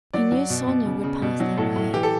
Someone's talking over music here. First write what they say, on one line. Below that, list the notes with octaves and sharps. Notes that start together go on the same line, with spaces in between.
He knew Sonya would pass that way.
F#3 D5
F#3
B2
B2
C#3
C#3
B2
F#3
A2 A4
A2
E3 G4
A4